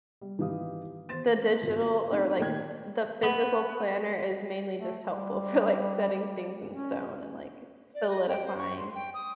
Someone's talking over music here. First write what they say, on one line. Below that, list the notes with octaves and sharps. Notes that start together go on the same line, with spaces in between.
the digital, or, like, the physical planner is mainly just helpful for like, setting things in stone, and, like, solidifying,
G3
G#1 E3 D#4 G4 F5 D#6
E2 C5 C6 A6 E7
G1 F2 F#4
F#3 A3 C4 D4 D#4 F#4
A#2 D#3 A3 A#3 G5 G#6
B3
A3
G3
C#4
D5
D#5
G5
C5
C#6
C6
G5
D#6